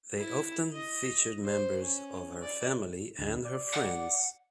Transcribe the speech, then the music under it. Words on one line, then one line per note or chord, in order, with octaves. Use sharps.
They often featured members of her family and her friends.
E4
D#5
C5
C#4
D5
D2
D5
F#5